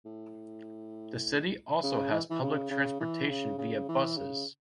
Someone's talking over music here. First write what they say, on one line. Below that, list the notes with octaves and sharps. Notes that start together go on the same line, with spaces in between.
The city also has public transportation via buses.
A2
C#3
E3
E3
C#3
C#3
E3
C#3
C#3
E3
C#3